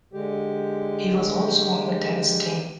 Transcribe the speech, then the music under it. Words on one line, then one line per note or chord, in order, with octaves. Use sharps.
He was also on the tennis team.
D3 G#3 G4